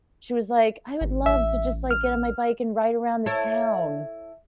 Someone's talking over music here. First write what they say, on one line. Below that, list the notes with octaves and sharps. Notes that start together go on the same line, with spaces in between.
she was like, "I would love to just, like, get on my bike and ride around the town."
G#1
A1 E5
F6
E4 A4 C#5